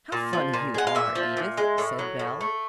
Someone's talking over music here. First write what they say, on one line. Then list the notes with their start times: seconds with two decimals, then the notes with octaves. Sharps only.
"How funny you are, Edith," said Belle.
0.12 A#2
0.33 F3
0.54 A#2
0.74 G#3 F#5
0.87 F5
0.95 A#2 E5
1.16 F3
1.37 A#2
1.57 G#3
1.78 A2
1.99 F#3
2.19 A2
2.41 A3